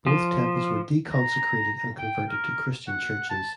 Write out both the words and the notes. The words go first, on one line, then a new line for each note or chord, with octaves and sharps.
Both temples were deconsecrated and converted to Christian churches.
F3
A#5
G5
A#4
F#5
A5